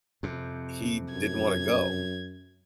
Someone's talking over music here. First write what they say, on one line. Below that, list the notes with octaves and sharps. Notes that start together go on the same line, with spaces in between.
he didn't wanna go.
F2 C3
F#2 G#6